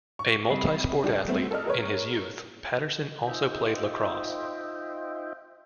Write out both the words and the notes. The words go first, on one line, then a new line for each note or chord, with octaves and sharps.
A multi-sport athlete in his youth, Patterson also played lacrosse.
C#6
C3 G3 D#5 B5 C7
G3 D4 G4 G#4
G3 A3 B3 C4
A4 A#4 D5 D#5 F6
G#4 A#4 B4 C#5
D#4 F4 C5 D#5 E5 G5